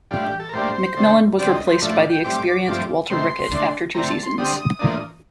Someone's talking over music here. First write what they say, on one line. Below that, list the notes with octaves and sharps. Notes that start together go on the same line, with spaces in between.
McMillan was replaced by the experienced Walter Rickett after two seasons.
A2 G3 D4 F4
G4
A4
A#4
A2 G3 A#3 D4 C5
D3 A3 C4
D3 G3 C4 D5
D#5
C5
A2 F3 A3 D4
D5
G5
A2 G3 C4 D6
G2 F3 A3 C4
C3 D#3 A3 C6
D3 A3 D4
D3 A3 C4 A#5
A5
C6
D3 G3 C4 D#6
A2 F3 A#3 D4